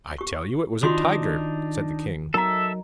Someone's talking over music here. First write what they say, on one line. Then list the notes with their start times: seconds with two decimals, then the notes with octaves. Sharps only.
'I tell you it was a tiger,' said the king.
0.18 G4 C#6
0.83 D#3 D4 D#4 F4 F#4 C6
2.34 F#3 D#4 A4 A#4 D#5 E5 A#5